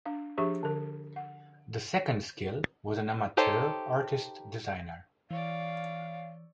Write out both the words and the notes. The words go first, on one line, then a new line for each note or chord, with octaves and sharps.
The second skill was an amateur artist designer.
D4 F5
F3 D4 G4 G#4 E5 C#6
D3 A#4
F#5
D#4 G4 A4 C5 C#5
E3 C#5 D5 F5